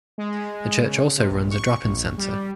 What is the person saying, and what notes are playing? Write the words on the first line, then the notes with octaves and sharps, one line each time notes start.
The church also runs a drop-in centre.
G#3
C#3
C3
A#1
C#6
A#1
G3